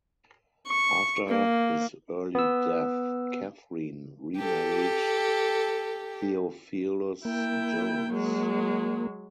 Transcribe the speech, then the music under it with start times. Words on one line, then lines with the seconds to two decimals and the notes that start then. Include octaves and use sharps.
After his early death Catherine remarried Theophilus Jones.
0.67 C#6
1.28 A#3
2.35 B3 E6
4.38 G4 A4
7.25 A#3 E4 G5
8.12 F#3 G#3